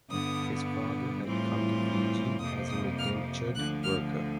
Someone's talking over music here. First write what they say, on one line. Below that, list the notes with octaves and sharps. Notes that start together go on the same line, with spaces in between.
His father had come to Fiji as an indentured worker.
G2 D3 G3 B3 D#6
A2 E3 G3 C4 F4
F2 C3 F3 A#3 D#6
D#6
F6
D2 D3 F3 F#6
F6